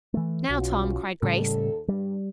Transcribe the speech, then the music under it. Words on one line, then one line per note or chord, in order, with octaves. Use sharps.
"Now, Tom," cried Grace.
E3 A3
B1 C#4 F4 F#4
D#2 A2 C#3 G3 A4
G2 G3